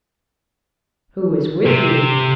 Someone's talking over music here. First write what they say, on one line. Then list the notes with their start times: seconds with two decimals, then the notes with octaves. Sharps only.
'Who is with you?
1.66 C3